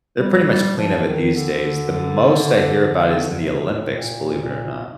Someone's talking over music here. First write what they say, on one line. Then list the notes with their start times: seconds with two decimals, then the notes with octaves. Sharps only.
they're pretty much clean of it these days, the most I hear about is in the Olympics, believe it or not.
0.19 G3
0.48 G3
0.77 F3
1.06 D#3
1.35 D3
3.11 D3
3.40 C3
3.69 A2
3.98 A#2
4.42 A#2